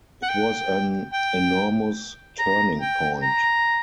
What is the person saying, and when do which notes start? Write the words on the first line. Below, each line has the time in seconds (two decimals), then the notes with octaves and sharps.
It was an enormous turning point.
0.23 F#5
0.29 G5
1.13 G5
2.39 A#5
2.81 G5
3.22 A#5